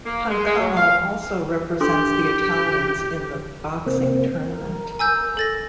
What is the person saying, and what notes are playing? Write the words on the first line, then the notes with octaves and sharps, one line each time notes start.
Pancamo also represents the Italians in the boxing tournament.
A#3
G#3
G#3
F#3
F5
D4 G4 A4 C6
C3 A#3 C4
A#4
G#5 E6 G6
A4 A6 A#6